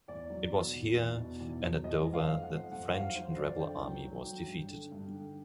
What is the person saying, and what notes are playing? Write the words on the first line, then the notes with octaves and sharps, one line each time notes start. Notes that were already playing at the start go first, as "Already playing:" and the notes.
It was here and at Dover that the French and Rebel army was defeated.
E2 D5
F#3
B2
E2
E2
B2
E2
F#3
F2 D#5
F2
F5
F2
F#5
F2
F2 F#5
F#3 F5
F#3 C5
F2 D5
D3 G5
F#3
F#3
F#3
G2
D3
G2
D3